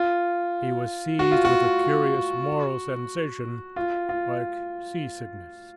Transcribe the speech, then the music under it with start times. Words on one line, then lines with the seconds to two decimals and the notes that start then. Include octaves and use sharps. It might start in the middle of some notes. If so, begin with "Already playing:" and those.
He was seized with a curious moral sensation like seasickness.
Already playing: F4
1.19 F#4
1.31 F4
1.45 F#4
3.76 F4
4.09 F4